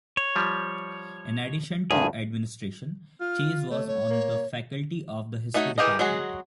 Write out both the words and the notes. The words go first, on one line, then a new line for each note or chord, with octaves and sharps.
In addition to administration, Chase was on the faculty of the history department.
C#5
F3 G3
D2 G2 G#4
F4 F6
A3 C#5
C#5
A#3
A3 D#4 F#4 C#5
E3 G4 G#4 A#4 D#5
F#3 G#3 F#4 G#4